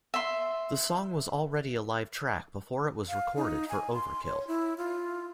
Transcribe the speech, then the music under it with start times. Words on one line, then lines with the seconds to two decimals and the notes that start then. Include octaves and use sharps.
The song was already a live track before it was recorded for "Overkill".
0.14 E5 C6
3.09 F5
3.36 D#4
3.69 G#5
3.94 C6
4.26 C#5
4.47 E4
4.78 F4